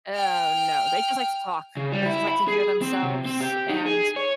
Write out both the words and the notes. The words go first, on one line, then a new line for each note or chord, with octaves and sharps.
Oh, no, they just like to talk. They just like to hear themselves. And
G5 F6
C#3
G3
E4
B5
G#4
C4
C3
C4
G4
D#4
G#4
C#5